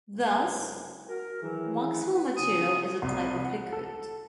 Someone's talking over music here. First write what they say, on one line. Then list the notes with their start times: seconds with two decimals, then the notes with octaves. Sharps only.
Thus, Maxwell material is a type of liquid.
0.13 F#1 C#2 C3
1.09 F#4 A#4
1.42 D#3 E3 F#3 E4 G#4
1.99 B4
2.37 C#3 F#3 C#4 D#6
3.02 C2
3.45 F#5
3.73 A4